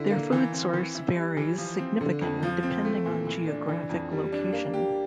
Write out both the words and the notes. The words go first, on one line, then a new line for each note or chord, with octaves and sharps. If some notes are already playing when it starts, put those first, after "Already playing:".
Their food source varies significantly depending on geographic location.
Already playing: D3 E4
A#3
E3
C4
E3
E4
G3
E3
F3
C4
D3
F2
F3
C4
A3
A#2
E3
D4
E3
F2
G3
D4
A#3
G4